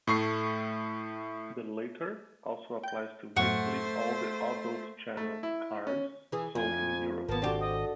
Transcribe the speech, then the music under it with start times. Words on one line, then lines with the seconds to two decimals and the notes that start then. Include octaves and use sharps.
The latter also applies to virtually all the Adult channel cards sold in Europe.
0.07 A2 A3 C#6 C7
2.84 G5 G6
3.36 F#2 A2 F#3 A3 C5 F#5 C#6
5.17 A3
5.43 E4
5.87 C#4
6.32 E3 G#4
6.55 F2 F3 G#5
7.28 G#1 A#3 B3 A5
7.42 C4 D4 F#4 G4 A4
7.60 D#5